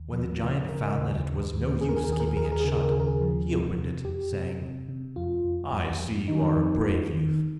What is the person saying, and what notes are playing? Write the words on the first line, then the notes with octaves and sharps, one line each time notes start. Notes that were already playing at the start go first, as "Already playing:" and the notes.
When the giant found that it was no use keeping it shut, he opened it, saying: 'I see you are a brave youth.
Already playing: D#2
F3
C#3
C#3 A#4
D#2
D#2
D#2
D#2 G#4
A#4
G#4
A#4
D#2 G#4
A#4
G#4
D#2 A#4
G#4
A#4
G#4
C#3 A#4
G#4
A#4
D#2 G#4
A#4
G#4
F3
C3
C3
F2 G4
C3
C3
C3
F2 F4
F2
F2
F2
D#3 D#4
F2
F2
D#3